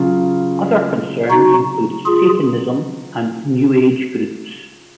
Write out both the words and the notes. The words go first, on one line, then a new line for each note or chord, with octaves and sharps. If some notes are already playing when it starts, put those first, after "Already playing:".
Other concerns included Satanism and New Age groups.
Already playing: C#3 F#3 C#4 F4
D#4 F#4
F4 G#4